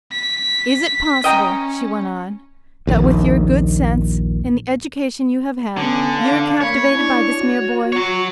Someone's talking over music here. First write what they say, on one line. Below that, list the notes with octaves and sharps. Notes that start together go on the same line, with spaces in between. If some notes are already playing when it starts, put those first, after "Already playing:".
"Is it possible," she went on, "that with your good sense, and the education you have had, you are captivated by this mere boy?"
B6
C#4 D#5 G5 A#5
A#1 D#2
D3 B3 C#4
D4 F5
A#3 C#5 B5
D4 E4
F#4
F#3 C#5